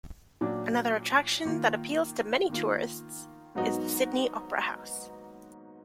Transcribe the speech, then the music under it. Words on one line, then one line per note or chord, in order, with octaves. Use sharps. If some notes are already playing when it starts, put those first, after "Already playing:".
Another attraction that appeals to many tourists is the Sydney Opera House.
A#2 F#3 D4
D#3 A#3 F4
D#3 A#3 F4
G#2 F#3 B3 D#4 F#4